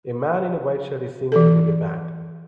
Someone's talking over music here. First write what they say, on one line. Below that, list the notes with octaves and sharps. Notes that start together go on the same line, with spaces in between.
A man in a white shirt is singing with a band.
E3 A4